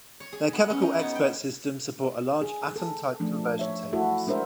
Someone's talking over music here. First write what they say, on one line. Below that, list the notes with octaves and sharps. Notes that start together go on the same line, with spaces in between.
Their chemical expert systems support a large atom type conversion tables.
C#5
G#4
B3
C#4
D#4
B3
G5
G#4
A4
F3 A3 D4
C#5 E5
A3 E4 F#4 A4 E5
G#3 D4 A#4 C5 E5